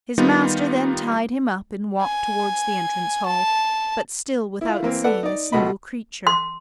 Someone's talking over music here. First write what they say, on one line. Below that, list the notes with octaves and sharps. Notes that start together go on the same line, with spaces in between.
His master then tied him up, and walked towards the entrance hall, but still without seeing a single creature.
D#3 G3 B3 D#4 F4
G#5
A5
E4 F4
E3 A#3 C4
A4 B4 D5 F#5
D#4 D5
C#2 B2 A3 D#5 B5
C6